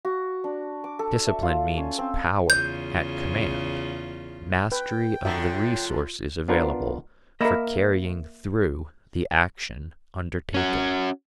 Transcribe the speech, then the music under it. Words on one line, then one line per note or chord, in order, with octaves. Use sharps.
Discipline means power at command; mastery of the resources available for carrying through the action undertaken.
F#4
D4
D6
A4
E5
F4
C#4
C4
E2 C#3 F4 G6
B4 G5
F#2 D3 F4 F#4 E5
B3 D4 F4 A#4 B4
A#3 A#4 D#5 E5 B5
C#4 F#4